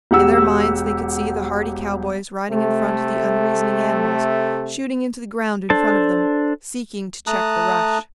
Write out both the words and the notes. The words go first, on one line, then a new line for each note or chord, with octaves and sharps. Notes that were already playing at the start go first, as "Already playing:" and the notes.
In their minds they could see the hardy cowboys riding in front of the unreasoning animals, shooting into the ground in front of them, seeking to check the rush.
E1 G4 F#5 E6
C3 A3
D4 A4 C5 A5
A3 A5 A#5 D#6 F#6